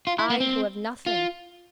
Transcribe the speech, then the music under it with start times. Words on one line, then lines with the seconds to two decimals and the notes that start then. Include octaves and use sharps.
I, who have nothing!
0.07 F4
0.19 E4
0.30 A#3
0.40 C4
1.06 F4